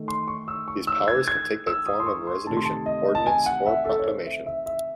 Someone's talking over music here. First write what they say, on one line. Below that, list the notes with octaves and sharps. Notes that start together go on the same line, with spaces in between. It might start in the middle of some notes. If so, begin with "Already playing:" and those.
These powers can take the form of a resolution, ordinance or proclamation.
Already playing: D#3 A3
C6
C#6
E6
C#6
E6
G#6
G#6
E6
D#6
C6
C#6
C6
C3 D#3 A3 A5
C6
A5
D#5
A5
G#5
F#5
E5
A4
C#5
C5
E5
E5
E5